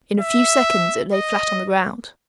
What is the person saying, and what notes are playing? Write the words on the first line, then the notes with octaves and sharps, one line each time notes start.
In a few seconds it lay flat on the ground.
E5
D#5